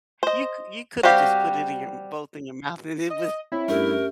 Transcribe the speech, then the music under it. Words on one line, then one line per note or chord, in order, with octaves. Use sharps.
you c you coulda just put it in your both in your mouth and it was
C5 D#5
G3 C4 F#4 G4 F5
D#5
C4 E4 C#5
G2 A3 C#4 G4 A#4 E5